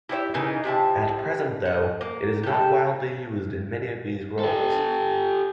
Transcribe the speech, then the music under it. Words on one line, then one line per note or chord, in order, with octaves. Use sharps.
At present though, it is not widely used in any of these roles.
E4 G4 C#5 E5
C#3 E3 A#3 D#4
C3 F3 E4 A5
F#5
A#3
G4 A4
G4 A4